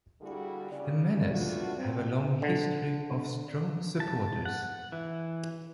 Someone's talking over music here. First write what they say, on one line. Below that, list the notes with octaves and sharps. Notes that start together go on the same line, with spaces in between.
The Menace have a long history of strong supporters.
D3 G3 A#3 E4 F#4 G#4
C#3 D5
G3 A3 B3 D4 F4 F#4
C4
D3
A5
F#5
E3